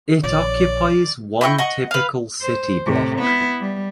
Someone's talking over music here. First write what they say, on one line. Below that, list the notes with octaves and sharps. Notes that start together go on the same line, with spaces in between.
It occupies one typical city block.
A#1 F3 C#5 D5
E4 D#5 G5 C#6
D#5 F#5 C#6
B4 F5
C5
A2 C3
B3 E4
G3